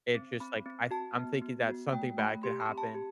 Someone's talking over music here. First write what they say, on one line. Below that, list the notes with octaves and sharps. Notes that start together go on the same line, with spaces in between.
it's just, like, I th I'm thinking that something bad could happen,
C4
C4 B5
C4
F#4 A5
B3
B3
F#4
A3 G5
A3 B5
G4 C6
B5
C4
A5
G4